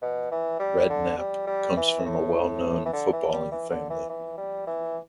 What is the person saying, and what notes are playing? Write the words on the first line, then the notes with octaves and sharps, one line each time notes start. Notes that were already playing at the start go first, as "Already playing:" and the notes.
Redknapp comes from a well-known footballing family.
B2
E3
G3
D3
G3
G3
E3
A2
E3
D3
E3
G3
E3
D3
E3
E3
G3
E3